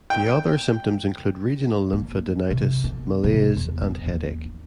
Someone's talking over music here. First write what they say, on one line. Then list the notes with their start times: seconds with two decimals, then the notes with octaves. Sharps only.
The other symptoms include regional lymphadenitis, malaise, and headache.
0.10 G5
1.93 A#3
2.51 C3
2.84 B3
3.24 C3
3.57 E2
3.81 B3
4.06 D#2
4.45 D#4